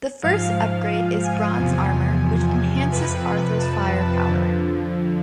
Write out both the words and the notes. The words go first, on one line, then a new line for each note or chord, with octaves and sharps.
The first upgrade is bronze armor which enhances Arthur's firepower.
G#2 F3 F5
G#5
E2 C3 F3
F2 C3 F3 B4
A5
F2 D3 F3